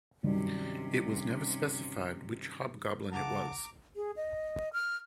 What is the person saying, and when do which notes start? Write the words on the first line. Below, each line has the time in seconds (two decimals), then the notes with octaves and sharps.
It was never specified which Hobgoblin it was.
0.23 G2 C3 D#3 F#3 C#4
3.12 C#3 F#5 A5 A#5 D6
3.96 G#4
4.16 D#5
4.73 F6